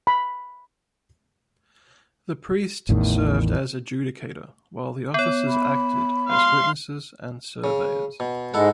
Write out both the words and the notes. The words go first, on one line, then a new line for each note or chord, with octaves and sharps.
The priest served as adjudicator while the officers acted as witnesses and surveyors.
B5
A1 E2 A2 D#3
B3 C#5
B5
F5 C6
C#3
B2
G#2 G#3 E4 A4 F#5